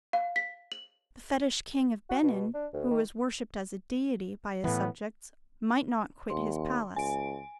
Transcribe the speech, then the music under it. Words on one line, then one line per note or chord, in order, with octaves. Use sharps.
The fetish king of Benin, who was worshipped as a deity by his subjects, might not quit his palace.
F5
B6
F#7
F#4
B2
D4
D2
D#3
A2 E3 B3
D#2 C6
C#2 G#5 D7